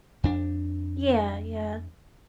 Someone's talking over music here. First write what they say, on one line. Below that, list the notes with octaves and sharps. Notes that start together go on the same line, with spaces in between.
Yeah, yeah.
F2 D4